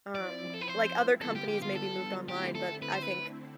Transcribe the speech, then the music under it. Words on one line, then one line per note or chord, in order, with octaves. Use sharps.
Um, like, other companies maybe moved online, but I think
F3 C4 E4 D5
A4
B4
C5
D3 G3 B3 F4 A4
G4
G4
F4
A4
D3 A3 C4 E4 G4
A4
B4
C5
B4